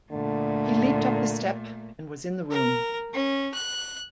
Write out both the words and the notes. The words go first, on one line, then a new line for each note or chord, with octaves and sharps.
He leaped up the step and was in the room.
A#2 D3 A3
A#4
C#4
F#6